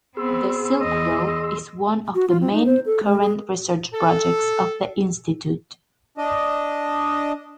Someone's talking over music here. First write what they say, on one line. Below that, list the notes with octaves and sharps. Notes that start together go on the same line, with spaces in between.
The Silk Road is one of the main current research projects of the institute.
B3 C4 G#4 C6 E6
E2 D#5
F#4
F4
C4
D#4
C5
A4
G#3
G#4
A4
D4 D#5